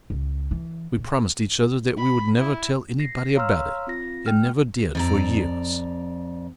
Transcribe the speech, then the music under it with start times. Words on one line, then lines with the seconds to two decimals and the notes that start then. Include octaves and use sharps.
We promised each other that we would never tell anybody about it, and never did for years.
0.10 C#2
0.51 E3
0.97 A#2
1.97 B5
2.39 E4
3.00 A#6 C7
3.36 C#5 F5 A#5 C6 E6 F6
3.87 C4 F4 A#6
4.26 A3 G5 F6
4.95 F2 D5 A#5